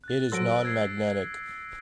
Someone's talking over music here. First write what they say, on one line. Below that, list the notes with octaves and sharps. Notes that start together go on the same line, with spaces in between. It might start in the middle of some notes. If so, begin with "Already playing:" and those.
It is nonmagnetic.
F#6 A6
F#3 A4 C5 E6 A#6 D7
E6 G#6 C7